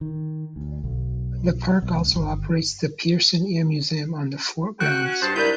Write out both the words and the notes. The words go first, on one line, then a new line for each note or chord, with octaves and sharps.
The park also operates the Pearson Air Museum on the fort grounds.
D#3
D2
B1
B1
C#2
G1
F#4 G5 F#6
C#4
G2 C5 A5
E4 A#4 B4 D5 G6